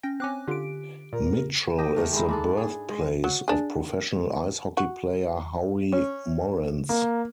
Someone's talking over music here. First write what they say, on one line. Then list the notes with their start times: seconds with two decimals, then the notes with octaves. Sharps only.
Mitchell is the birthplace of professional ice hockey player Howie Morenz.
0.03 C#4 G5 A#6
0.20 C4 C#4 G#5 D6 F#6
0.48 D3 F4 G4 D7
1.13 A#2 A#4
1.78 G4 D#5
1.96 D#3 A3
2.13 G#3 D#4 E4
2.29 G#2 D4 A4
2.57 G#4
2.89 G#3
3.24 F#3
3.48 D4 G#4
4.77 F#4
5.92 C#4
6.89 A#3